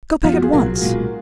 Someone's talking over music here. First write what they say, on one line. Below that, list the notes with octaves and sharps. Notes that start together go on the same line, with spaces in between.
Go back at once!
F#2 F3 B3 F4
F#4
G#4
B1 A#2 F#3 A#4
B1 A#2 G#3